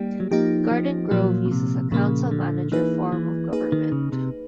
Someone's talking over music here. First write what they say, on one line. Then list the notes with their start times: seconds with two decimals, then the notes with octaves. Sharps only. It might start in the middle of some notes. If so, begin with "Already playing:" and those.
Garden Grove uses a council-manager form of government.
Already playing: G3 A#3 D#4 G4
0.20 F#3
0.31 F3 A#3 D#4 G4
0.71 F3
1.11 A#2 F3 F#3 A#3
1.46 B2
1.51 C3
1.92 A#2 C#3 F3 A#3
2.31 D3
2.72 E3 A#3 D#4 G#4 B4
3.12 E3
3.53 A#3 D#4 G#4 B4
3.72 D#3
3.92 C#3
4.12 C3